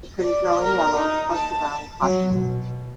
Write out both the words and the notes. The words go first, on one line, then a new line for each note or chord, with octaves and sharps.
The pretty girl in yellow looked around cautiously.
D5
A#4
D#4
A5
F#3
B2